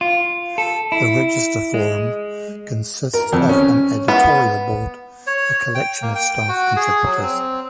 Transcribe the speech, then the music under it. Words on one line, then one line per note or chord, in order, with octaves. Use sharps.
The Register Forum consists of an editorial board, a collection of staff contributors.
F4
A4
E4
G#3
A#4
F2
C#4
B3
C#5
G5
A#3
G5
F#4
G#4
F#3
C4